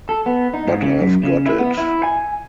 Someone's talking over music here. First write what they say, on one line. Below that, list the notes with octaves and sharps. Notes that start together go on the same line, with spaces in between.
But I've got it!
A4
B3
D#4
G#2
C#3
F#2
C#3
E4
B3
E4
G#5